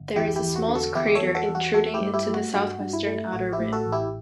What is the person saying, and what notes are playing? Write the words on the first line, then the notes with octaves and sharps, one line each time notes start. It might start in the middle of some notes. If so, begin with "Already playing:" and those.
There is a small crater intruding into the southwestern outer rim.
Already playing: G1
E2 E4 G4
E4 G4
E2
F#4
D3
F#4 A4
E2 E4 G4
A4 C#5
E2
F#4 A4
E2
F#4
A3 F#4 A4
E4 G4
G2
E4 G4
A3
F#4
G2 F#4
G2
E4
A3
A1 F#4
E4 G4
A2
F#4 A4
A1
E4 G4